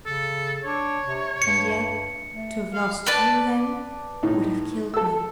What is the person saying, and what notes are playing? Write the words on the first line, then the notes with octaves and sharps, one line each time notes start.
"And yet to have lost you then, would have killed me."
C#3 A4
D4 C#5
C3
G2 C#7
A3
F5
B4 D5 A5
A2 D#4
A4 E6